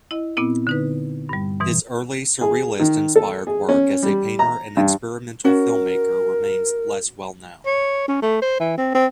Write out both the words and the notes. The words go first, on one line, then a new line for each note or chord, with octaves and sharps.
His early, surrealist-inspired work as a painter and experimental filmmaker remains less well known.
E4 D#5
A#2 B3 C4 E4
D3 D#4 B4
G2 G3
G#2 B2 E3
G#4
D#3
A4
G#4
C#4
G3
A#5
G2
C#4 F#4 A#4
C#5
C#4
A3
C5
E3
C4
C4